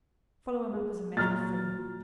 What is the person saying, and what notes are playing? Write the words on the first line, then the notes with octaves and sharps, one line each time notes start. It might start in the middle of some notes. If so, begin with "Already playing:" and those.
Follow him up as a matter of form.
G#4
A#2 F#3 A#5 F6 A6